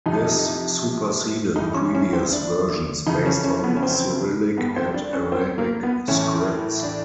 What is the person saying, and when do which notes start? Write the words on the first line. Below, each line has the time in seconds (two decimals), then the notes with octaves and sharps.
This superseded previous versions based on Cyrillic and Arabic scripts.
0.06 F2 C3 E3 D#4
1.56 G2 E3 D#4
1.75 C#4
1.95 C#4
2.13 C4
2.32 D4
3.07 F2 C#3 E3 D#4
3.26 C#4
3.44 C#4
3.64 B3
3.76 C#4
3.83 C4
4.57 G2 D#3 B3
4.76 C4
4.94 D4
5.13 C#4
5.32 C4
5.58 A#3
5.83 B3
6.08 A2 E3 C#4
6.83 D4